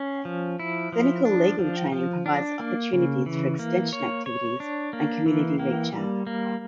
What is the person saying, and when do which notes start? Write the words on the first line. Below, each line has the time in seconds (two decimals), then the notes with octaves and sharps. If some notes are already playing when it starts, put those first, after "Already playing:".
Clinical legal training provides opportunities for extension activities and community reach out.
Already playing: C#4
0.25 F3
0.59 E4
0.92 F3
1.25 D4
1.59 F3
1.92 F3
2.26 D4
2.59 A#3
2.93 C#3
3.26 E3
3.59 A#3
3.93 C#5
4.26 C#5
4.60 D4
4.93 A#3
5.26 E3
5.59 A#3
5.93 G3
6.27 A#3